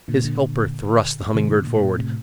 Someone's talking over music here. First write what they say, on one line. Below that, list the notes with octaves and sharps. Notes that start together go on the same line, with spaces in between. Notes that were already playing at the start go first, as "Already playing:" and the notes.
His helper thrust the Humming-Bird forward.
A#2 D3
A#2 D3
C3 D#3
A#2 D3
A#2
A#2
A2 C3